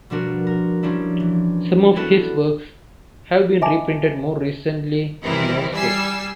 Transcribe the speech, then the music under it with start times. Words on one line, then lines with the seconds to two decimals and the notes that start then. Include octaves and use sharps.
Some of his works have been reprinted more recently in Moscow.
0.10 B2 F3 G3 D4 F#4 A#4
0.47 A#4
0.83 F3 G3 C#4 D4 E4
1.20 E3
1.96 G3 B3 E4 F#4 A4
3.62 D#5 E5 G#5 A5 B5 D6
5.24 D#3 E3 G3 C4 E4 A#4
5.73 G3 G#5 E6 C7